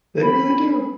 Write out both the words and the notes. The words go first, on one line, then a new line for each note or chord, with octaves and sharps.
they really do.
B5